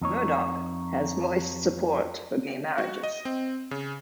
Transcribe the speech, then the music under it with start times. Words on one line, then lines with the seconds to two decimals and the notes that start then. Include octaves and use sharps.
Murdoch has voiced support for gay marriages.
0.02 F2 D#4 C#5
2.78 F#4
3.04 D#5
3.25 C4
3.71 C#3